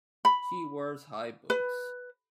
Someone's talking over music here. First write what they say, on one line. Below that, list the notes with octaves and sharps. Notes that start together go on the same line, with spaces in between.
She wears high boots.
B5
B4